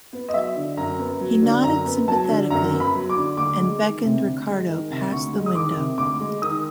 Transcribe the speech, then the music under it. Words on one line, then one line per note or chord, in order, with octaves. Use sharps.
He nodded sympathetically, and beckoned Ricardo past the window.
B3
D#5
F#3 E5
D3
F#2 A#5
B3
F#3
D3
F#2 A#5
B3
F#3 A5
D3
F#2 A#5
B3
B5
F#3
D6
D3
D2 D6
G#3
D#3
C3
D2
G#3
D#3
C3
D2 C#6
G#3
D#6
D#3 D6
C3
D2 D6
G#3
D#3 D#6